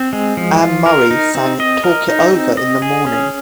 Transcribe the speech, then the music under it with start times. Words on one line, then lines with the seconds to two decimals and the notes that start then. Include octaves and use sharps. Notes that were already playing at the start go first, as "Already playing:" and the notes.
Anne Murray sang "Talk It Over in the Morning".
Already playing: C4
0.13 G#3
0.37 F3
0.62 F4
0.86 A#4
1.11 D#4
1.35 C4
1.60 D#5
1.84 A#4
2.09 D#4
2.33 C4
2.57 D#5
2.82 G#4
3.06 C#4